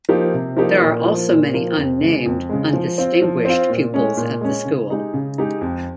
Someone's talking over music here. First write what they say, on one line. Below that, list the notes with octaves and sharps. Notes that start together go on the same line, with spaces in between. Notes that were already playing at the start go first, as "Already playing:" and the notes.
There are also many unnamed, undistinguished pupils at the school.
F3 A#3 D#4 G4
C3
F3 A#3 D#4 G4
A#2
F3 A#3
A#2
F3 A#3
F2
C#3 G#3
F2
C#3 G#3
F3
C4 F4
F3
C4 F4
A#2
G#3 C#4
A#2
G#3 C#4
C#3
G#3 D#4 G4
C#3
G#3 D#4 G4
F2